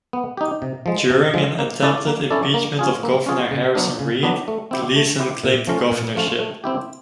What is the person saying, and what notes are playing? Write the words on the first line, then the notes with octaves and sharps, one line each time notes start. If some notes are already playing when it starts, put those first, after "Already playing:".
During an attempted impeachment of Governor Harrison Reed, Gleason claimed the Governorship.
B3
D#4 G4
C3
F3 G#3
C3
F3 G#3
A#3
C#4 E4 A4 D5
A#3
C#4 E4 A4 D5
A#3
C#4 F4 G#4
A#3
C#4 F4 G#4
C#3
F#3 B3 D4
C#3
F#3 B3 D4
A3
C4 E4 G4
A3
C4 E4 G4
A#2
F3 A3 C#4 F4
A#2
F3 A3 C#4 F4
A3
C4 E4 G4